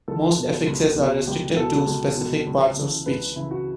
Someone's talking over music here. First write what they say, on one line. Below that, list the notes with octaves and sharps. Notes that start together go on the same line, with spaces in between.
Most affixes are restricted to specific parts of speech.
C#2 A4
B2
C#2
B2
C#2 G4
B2 A4
C#2
B2
C#2
C#3 E3
C#2 B4
C#3 E3 E4
F#4